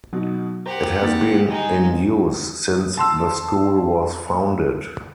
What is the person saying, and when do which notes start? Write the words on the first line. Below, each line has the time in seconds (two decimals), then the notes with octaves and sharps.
It has been in use since the school was founded.
0.13 B2 F#3 D#4
0.66 G4 A#4 C5 F#5
1.02 D#3 A#3 A6
1.49 G3 G#3 D#4
2.97 A5 C6 E6